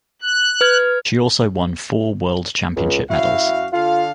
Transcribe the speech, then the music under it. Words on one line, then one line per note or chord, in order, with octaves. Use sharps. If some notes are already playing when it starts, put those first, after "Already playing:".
She also won four World Championship medals.
F#6
B4 F6 G#6
C#2
F#2 E4 F#4 F5
D3 F4 A4 F5